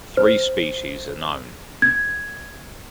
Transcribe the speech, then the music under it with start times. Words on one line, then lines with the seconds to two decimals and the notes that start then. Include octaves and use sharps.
Three species are known.
0.17 C5
1.82 G#6